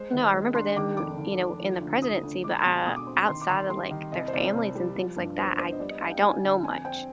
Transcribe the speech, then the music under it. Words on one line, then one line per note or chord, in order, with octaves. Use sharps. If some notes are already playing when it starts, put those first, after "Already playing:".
know, I remember them, you know, in the presidency, but, uh, outside of, like, their families and things like that, I d I don't know much.
Already playing: G#3 C5
D#3
G#3
D4 C6
D#3 D6
F1 D6
D#3
F1
F3
D2
D2 D#6
D2
G#3 D6
C6
G#5
B2 B5
B2 D#6
D6
C4 C6
D#3 C6
D6
D#3 C6
G3 C6
D#3
C2 D#5
C5
C2 D5
C2
G3
F3
G2
B3 C5
B3 C5
D#5
G3 D5
D#5
G3 F5
G5
G3 G#5
D3
F2 G#5
C4 G5